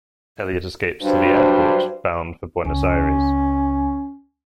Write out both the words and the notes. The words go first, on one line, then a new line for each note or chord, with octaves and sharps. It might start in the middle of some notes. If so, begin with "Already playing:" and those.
Eliot escapes to the airport, bound for Buenos Aires.
G2 F#3 D4 B4 C5
C#2 C#4